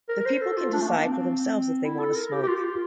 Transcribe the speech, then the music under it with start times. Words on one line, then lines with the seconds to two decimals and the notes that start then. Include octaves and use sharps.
The people can decide for themselves if they wanna smoke.
0.09 A#4
0.20 A#4
0.25 C5
0.41 A4
0.57 F4
0.73 D4
0.81 A3
0.89 A#3
0.97 D4
1.05 C4
1.84 E4
2.00 A4
2.16 A#4
2.32 G4
2.43 G4
2.48 F4
2.57 G4
2.64 F4